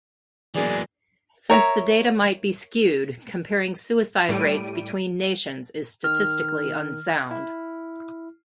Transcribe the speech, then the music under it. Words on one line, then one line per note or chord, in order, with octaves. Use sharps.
Since the data might be skewed, comparing suicide rates between nations is statistically unsound.
E3 F#3 G#3 A#3 B3 G#4 D5
A#4 C#5 E5 A#5
A2 G3 D7 D#7
D#3 F6
E4